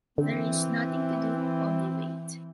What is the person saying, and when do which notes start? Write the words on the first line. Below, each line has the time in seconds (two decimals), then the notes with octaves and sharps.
There is nothing to do, only wait.
0.18 D3 E3 C4